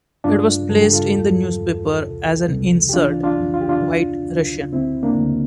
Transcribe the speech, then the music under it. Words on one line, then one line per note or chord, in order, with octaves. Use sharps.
It was placed in the newspaper as an insert: White Russian.
G2 D4 F4
G2 A4
G4
F4 A4
E2
E2
C2
C2
G4
E3 D4 F4
D4 F4
F2
F4
G4
D4 F4
D2
D2
D2 C4 E4
A#3 D4
D2